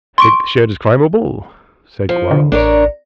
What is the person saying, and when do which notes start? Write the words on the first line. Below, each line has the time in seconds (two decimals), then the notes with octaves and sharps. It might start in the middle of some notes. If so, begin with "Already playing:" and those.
"I think the shed is climbable," said Quarles.
0.18 C6 C#6 D7
2.09 F3
2.31 D3
2.52 A1 D4 A#4 C#5